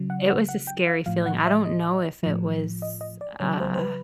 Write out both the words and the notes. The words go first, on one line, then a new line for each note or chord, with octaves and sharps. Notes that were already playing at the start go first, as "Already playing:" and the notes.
It was a scary feeling, I don't know if it was, uh,
Already playing: C#3 F#3
F#5
F#5
F#5
G5
F5
A2 F3 F5
F#5
E5
D#5
A2 F3
D#5
D#5
D5
C#3 F#3 C#5
C5
C5
B4